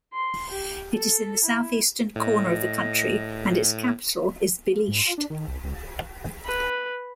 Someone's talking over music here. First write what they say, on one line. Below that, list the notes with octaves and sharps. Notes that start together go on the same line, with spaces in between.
It is in the southeastern corner of the country, and its capital is Bilisht.
C6
G4
A4
E4
A2 D#5
G#2
F4
D4
D#3
C2
C#2
B4